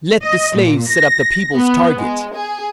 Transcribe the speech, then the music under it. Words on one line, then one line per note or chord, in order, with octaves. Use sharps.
Let the slaves set up the people's target.
D#5
A#2
A#6
B3
G#3
G#4